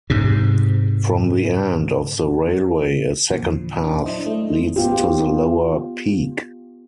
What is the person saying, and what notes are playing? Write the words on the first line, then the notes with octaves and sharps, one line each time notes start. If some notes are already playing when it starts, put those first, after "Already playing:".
From the end of the railway a second path leads to the lower peak.
G#2 C3
E2 A#2 D3 F3
D4
F#3 D4 E4 C5 D#5
A3
B3 F4 G4